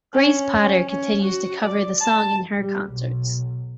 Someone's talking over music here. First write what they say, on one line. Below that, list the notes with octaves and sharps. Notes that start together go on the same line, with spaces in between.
Grace Potter continues to cover the song in her concerts.
C#4
C#4
C#4
F#4
D5
A5
G3
B1